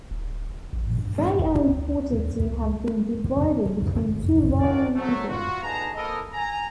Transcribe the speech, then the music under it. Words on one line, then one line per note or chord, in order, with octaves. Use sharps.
They are reported to have been divided between two rival leaders.
D1
A1
G2
F#1
D2
D#2
C#2
D#3 F#3 D4 F4 F#4 D5
F#3 A3
F4 F#4
D2 B3 D#4 G#4 A5 A#5
A#3 C4 E4 A4 A#4 D#5
G#5 A#5